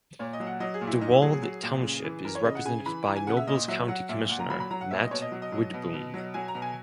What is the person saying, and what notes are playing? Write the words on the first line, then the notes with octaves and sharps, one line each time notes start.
Dewald Township is represented by Nobles County Commissioner Matt Widboom.
A#2 C#5
D#5
F#3
F#5
F#3 D#5
G#4
A#2
E4
A#2 D#4
E4
F#3 G#4
G#4
F#3
A#2
C#3
E3
E3 A#4
C#5
C#3 D#5
F#5
C#3 G#5
E3 B5
E3 A#5
G#5
C#3 F#5
E5
A#2 D#5
F#3 E5
F#3 F#5
A#2 E5
A#2 F#5
A#5
F#3 B5
B5
F#3 A#5
F#5
A#2 E5
D#5
B2 C#5
D#5
F#3
D#5
F#3
B2
B2
F#3
F#3 G#5
A#5
B2
G#5